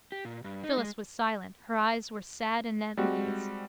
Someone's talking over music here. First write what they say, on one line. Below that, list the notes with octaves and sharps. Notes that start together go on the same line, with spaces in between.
Phyllis was silent: her eyes were sad anemones.
G4
A#2
G2
D#4
G#3
G3 G#3 C4 F#4